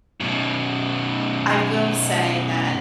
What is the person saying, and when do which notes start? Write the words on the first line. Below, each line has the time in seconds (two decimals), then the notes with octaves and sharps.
I I will say that
0.20 F#2 B2